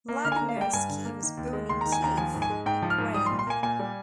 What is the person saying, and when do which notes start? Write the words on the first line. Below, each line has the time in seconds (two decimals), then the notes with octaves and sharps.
Vladimirski was born in Kiev, Ukraine.
0.08 A#3
0.25 D3 F6
0.32 G#5
0.36 A#5
0.41 A#3
0.49 F5
0.57 G3 G5
0.73 G2 G#5
0.89 D3
1.05 A#3
1.21 D#3
1.37 D#2
1.53 G#3
1.69 D#2 C6
1.81 D#3 A#5
1.92 G#5
2.02 D#2 A#5
2.17 F3 G#5
2.34 G#2
2.42 G#5
2.50 G#3
2.66 G#2 G5
2.82 F3
2.90 F6
2.98 G#2
3.14 G3 D#6
3.26 C6
3.30 A#2
3.39 C6
3.47 A#3 G#5
3.63 A#2 G#5
3.79 G3